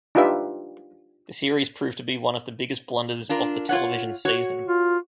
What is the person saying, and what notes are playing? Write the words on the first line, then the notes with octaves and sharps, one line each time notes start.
The series proved to be one of the biggest blunders of the television season.
D4 D#4 F4 G4 B4 E5
D4 F4 A#4
F4 C#5 F#5
F#4 C#5
F4